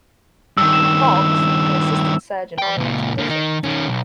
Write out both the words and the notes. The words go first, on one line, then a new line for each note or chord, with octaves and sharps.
Fox, an assistant surgeon on the expedition.
G2 D#3 E6
E7
D5 G5
C#2 A#2
D3 A#3
D#3 D#4
D#3 C#4
B1